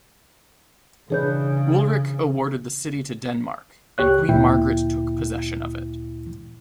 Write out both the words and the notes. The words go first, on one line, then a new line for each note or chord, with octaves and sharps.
Ulrich awarded the city to Denmark, and Queen Margaret took possession of it.
C#3 E3 D4 G#4 B4 C#5 G6
C#2 G4 C#5 F#6
D2 A#2 E4 G5